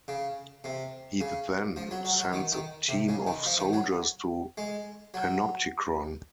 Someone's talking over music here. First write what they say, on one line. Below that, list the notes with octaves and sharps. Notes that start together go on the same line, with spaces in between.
He then sends a team of soldiers to Panoptichron.
C#3
C3
C#3
F3
F#3
F#3
F#3
D#3
D#3
C3
C#3
D#3
F3
D#3
F#3
G#3
F#3